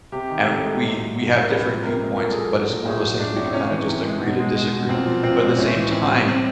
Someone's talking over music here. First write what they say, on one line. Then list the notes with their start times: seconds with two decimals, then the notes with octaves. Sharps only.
and we we have different viewpoints, but it's one of those things we kinda just agree to disagree, but at the same time,
0.12 C3 G4
0.29 D#3
0.47 C3 A4
0.63 G#3
0.81 A2
0.97 F#3
1.15 F#3
1.32 A2
1.39 A#4
1.49 C3 B4
1.65 F3
1.76 B4
1.82 C3 A#4
1.99 G#3
2.16 A#2 A#4
2.24 A4
2.32 F#3 G#4
2.39 A4
2.51 F#3
2.69 A#2
2.85 A2 G#4
3.02 F#3
3.19 F#3 D4
3.36 A2
3.45 C4
3.53 C3 C#4
3.71 E3
3.87 C3
4.05 G#3
4.21 B2
4.39 G#3
4.55 G#3
4.72 B2
4.89 A#2 C4
5.06 F3
5.23 A#2 C4
5.40 G#3
5.58 A2 C#4
5.75 E3
5.91 A2 C4
6.08 G3
6.26 C3 C4